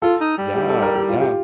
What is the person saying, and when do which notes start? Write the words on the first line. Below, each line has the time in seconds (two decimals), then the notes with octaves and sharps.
Yeah, yeah.
0.02 F4 A4
0.21 D#4
0.38 G3
0.56 G4
0.69 A4
0.82 A#4
0.96 G4
1.09 F4
1.21 G4